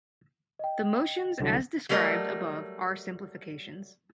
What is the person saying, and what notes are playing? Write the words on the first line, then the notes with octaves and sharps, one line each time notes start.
The motions as described above are simplifications.
D#5 G5
C2 D3 F#3
F#3 G3 A3 A#4 B4 D#5